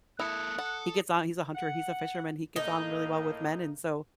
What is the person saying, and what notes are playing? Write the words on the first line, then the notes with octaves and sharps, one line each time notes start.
he gets on he's a hunter, he's a fisherman, he gets on really well with men, and so
A#3 E4 A4 D#6 F#6 C#7
A4 F#5
F#5
A2 A#3 D#4